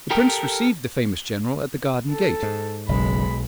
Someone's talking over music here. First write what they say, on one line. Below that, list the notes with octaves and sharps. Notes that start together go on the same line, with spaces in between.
The prince received the famous general at the garden gate.
G4 A4 A#4 G5
A4
G#2
F#1 B1 G#3 B5